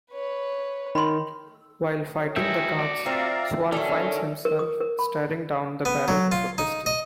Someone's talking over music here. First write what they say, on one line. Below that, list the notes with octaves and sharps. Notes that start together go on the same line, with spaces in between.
While fighting the guards, Swan finds himself staring down the barrel of a pistol.
B4 C#5
D#3 B5 C6
D#3 F#3
E3 G#3 F#4 G#4 A4 E5 G5
D5
C4 F4 D5 E5 F5 A#5
D3 D#3 F#3 C#4 A4 D5 E5
A#4
D#6
A#4
B5
B3
F#3
F4
D#4
D#5